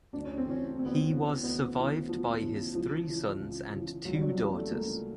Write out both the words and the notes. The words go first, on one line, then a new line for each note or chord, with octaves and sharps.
He was survived by his three sons and two daughters.
D2 D4
C#4
C4
C#3 E3 C#4
D2 C4
B3
C4
C#3 E3
D2 B3
C#3 E3
D2 F3
C#3 E3
C#2 F3
C#3 E3
C#2
C#3 E3
C#2 F#3
G3
F#3
C#3 E3 G3
A3
C#2 A#3